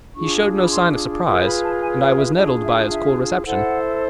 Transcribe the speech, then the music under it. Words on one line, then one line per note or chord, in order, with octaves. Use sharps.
He showed no sign of surprise, and I was nettled by his cool reception.
D4 F4 G#4 C#6
B5
C6
F4 G#4 B4 C6
B5
A5
G#5
F5
E5
D4 F4 G#4 D#5
E5
E5
E4 A4 C5 F#5